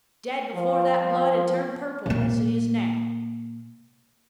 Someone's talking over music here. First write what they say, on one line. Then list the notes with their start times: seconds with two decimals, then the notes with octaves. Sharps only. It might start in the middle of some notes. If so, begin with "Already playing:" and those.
"Dead before that blood had turned purple--as it is now."
0.54 F3
2.06 A#2 A#3